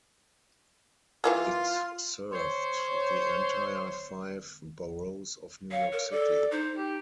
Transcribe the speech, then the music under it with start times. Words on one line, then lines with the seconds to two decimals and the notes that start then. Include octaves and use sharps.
It served the entire five boroughs of New York City.
1.24 E3 A#3 F4 G#4
2.33 C5 C#5
5.72 C#5 F5
5.92 A#4
6.12 A4 D5
6.52 D#4 C5
6.77 G4